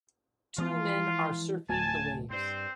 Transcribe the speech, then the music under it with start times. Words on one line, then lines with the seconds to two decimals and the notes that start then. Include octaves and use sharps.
Two men are surfing the waves.
0.58 E3 F3 G#3 F4
1.69 D1 A3 G#5 A5
2.30 G2 C4 C5